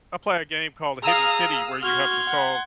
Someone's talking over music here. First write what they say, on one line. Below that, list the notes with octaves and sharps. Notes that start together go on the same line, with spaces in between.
I play a game called The Hidden City where you have to solve
G#4 F5 A#5 D#6 E6
F#4 C6 F6 G#6
F#5